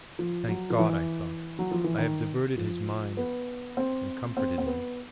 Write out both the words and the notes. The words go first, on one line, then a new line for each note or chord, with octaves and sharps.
Thank God, I thought, I have diverted his mind and comforted him.
F3
F#3
F3
E3
F#3
F3
E3
D#3
F3
B3
C4
C4
C4
B3